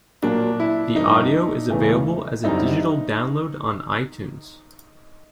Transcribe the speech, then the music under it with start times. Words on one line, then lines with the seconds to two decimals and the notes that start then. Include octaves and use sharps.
The audio is available as a digital download on iTunes.
0.23 A#2 F#3 A#3 D4
0.60 E4
0.96 G2 D3 F3 A#3 D#4
1.70 E1 E2 C#3 E3 A3
2.44 F#2 D3 G3 C4 D#4 E4